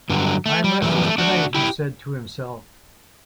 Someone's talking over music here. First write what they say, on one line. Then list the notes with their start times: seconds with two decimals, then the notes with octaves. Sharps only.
"I'm restless tonight," he said to himself.
0.10 G2 D3 F#3
0.46 A3
0.64 G3
0.82 F#2 E3 G3 A3
0.93 B3
1.03 A3
1.18 D4 F#4
1.55 E4 G4